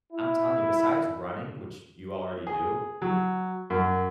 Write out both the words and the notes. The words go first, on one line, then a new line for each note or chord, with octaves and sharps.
I'm telling you, besides running, which you already do,
E4
G#4
F#3
F#2